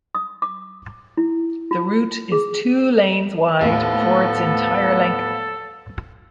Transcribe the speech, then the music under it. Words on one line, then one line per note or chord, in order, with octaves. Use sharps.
The route is two lanes wide for its entire length.
D#6
D6
E4
F4
G#4
D#2 A2 B3 A4 C5 F5